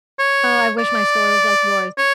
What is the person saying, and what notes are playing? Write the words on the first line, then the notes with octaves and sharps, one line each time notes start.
I wish my story was like yours.
C#5
D5
C#5